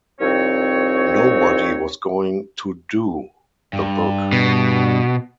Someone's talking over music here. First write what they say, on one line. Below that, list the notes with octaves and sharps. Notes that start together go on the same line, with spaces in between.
Nobody was going to "do" the book.
C2 F2 C4 D#4 C#5
G2
B2